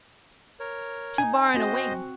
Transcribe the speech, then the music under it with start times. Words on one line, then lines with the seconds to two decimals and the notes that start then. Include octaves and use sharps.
Two bar and a wing.
0.60 A#4 C#5
1.18 D#4 G#5
1.54 C4 F#4 C5 D#5